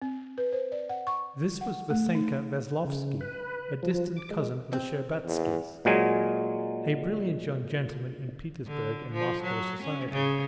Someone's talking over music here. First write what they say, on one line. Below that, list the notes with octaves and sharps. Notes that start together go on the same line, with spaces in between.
This was Vassenka Veslovsky, a distant cousin of the Shtcherbatskys, a brilliant young gentleman in Petersburg and Moscow society.
C4
B4
C5
D5
F#5
C#6
F#5
A3
D#4
C#3
B4
F3
D6
G#3
C4
E2
A#2 F#3 G#3 G#5
D3
F3
F#3
C#4
C#3